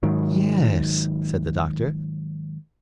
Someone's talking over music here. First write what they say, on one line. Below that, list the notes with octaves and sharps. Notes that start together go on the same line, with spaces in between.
"Yes," said the Doctor.
G#2 D#3 F#3